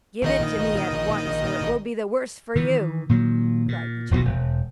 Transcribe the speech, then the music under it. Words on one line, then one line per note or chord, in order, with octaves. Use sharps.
Give it to me at once, or it will be the worse for you!' cried the Jew.
A#1 D#3 D#5
D#3 E3
A#2 D#3 F#3
A#2
D#1 B1 G#2 B2
E1